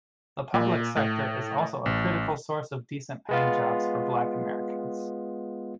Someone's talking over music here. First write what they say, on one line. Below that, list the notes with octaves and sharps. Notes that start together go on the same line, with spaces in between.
The public sector is also a critical source of decent-paying jobs for Black Americans.
A#2
A2
A1
G#3 B3 F4